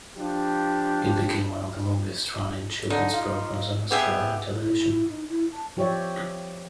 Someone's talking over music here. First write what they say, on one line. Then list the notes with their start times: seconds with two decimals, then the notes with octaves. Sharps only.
It became one of the longest running children's programs on Australian television.
0.17 F3 D4 G4
2.90 D3 D#4
3.14 F4
3.91 B3 G4 G#4 E5
4.61 E4
4.93 E4
5.08 D#4
5.29 E4
5.52 A5
5.77 F3 G4 C#5 D5 E5